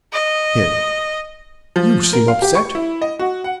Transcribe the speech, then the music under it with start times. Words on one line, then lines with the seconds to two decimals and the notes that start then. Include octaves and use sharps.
HIM: You seem upset.
0.13 D#5
1.76 F3
2.13 A#4
2.28 F5
2.42 G4
2.55 C#6
2.75 E4
3.02 D#5
3.19 F#4
3.44 F#5